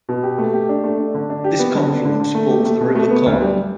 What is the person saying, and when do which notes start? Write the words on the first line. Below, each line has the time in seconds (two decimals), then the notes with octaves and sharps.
This confluence forms the River Colne.
0.09 B2
0.23 G4
0.38 A3
0.53 G4
0.69 D4
0.84 A3
0.99 D4
1.14 D3
1.30 D4
1.44 G4
1.59 B3
1.74 D3
1.89 D3
2.05 D3
2.20 D3
2.35 A3
2.51 G4
2.65 A3
2.81 B2
2.95 A3
3.11 B3
3.26 D2
3.41 G3